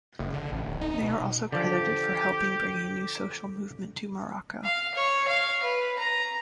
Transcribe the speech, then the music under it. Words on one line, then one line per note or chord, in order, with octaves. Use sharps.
They are also credited for helping bring a new social movement to Morocco.
F#1
D3
A1
D1
D#4
B2
D3 F3 G4
F5
C#5
F5
B4
A#5